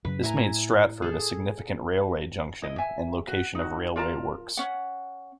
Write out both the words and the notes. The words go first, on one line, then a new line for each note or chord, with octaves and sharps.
This made Stratford a significant railway junction and location of railway works.
F#2 C#3 F#3 B4
A2 E4 G#5 A#5
G#4 A4
E4 D#5
E5 G#5
F#4
D#4 F#4
F4 A#4 A5 A#5
C#4 F#5